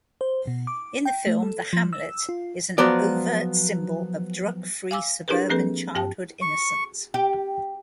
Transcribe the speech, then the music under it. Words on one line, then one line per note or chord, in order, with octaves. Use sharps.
In the film, the hamlet is an overt symbol of drug-free suburban childhood innocence.
C5
B2
D6
G5
A3
A4
F3
E6
F4
F3 F#3 B3 D5
F5 G#5 D6 E6
D4 E4 G4 G#4 A#4 B4
F3 A#3 C4 G#4 A4 B4
G2 G4 G5 A5
C#6
G4